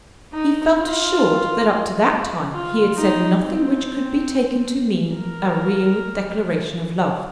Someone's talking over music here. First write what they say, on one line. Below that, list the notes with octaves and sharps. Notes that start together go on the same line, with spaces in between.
He felt assured that up to that time he had said nothing which could be taken to mean a real declaration of love.
D#4
F4
F4
D#4
C4
A#4